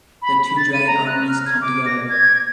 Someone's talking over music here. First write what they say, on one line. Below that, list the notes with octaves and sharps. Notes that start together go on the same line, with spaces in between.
The two dragon armies come together.
B5
B5
A6
D#7
A#5
F#6
F6
G#6
D6
A#6
G#6